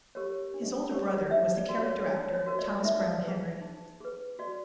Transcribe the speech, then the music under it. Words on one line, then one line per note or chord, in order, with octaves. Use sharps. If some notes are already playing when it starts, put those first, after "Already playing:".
His older brother was the character actor Thomas Browne Henry.
G4 A#4 C#5
D4
G4 A#4 C#5
D#4 E5
D5
F#4 A#4
C#5
D#4 C#5
C#5
F#4 A#4
D5
D#4 E5
G#4 B4
D#4
G#4 B4
F#4 D5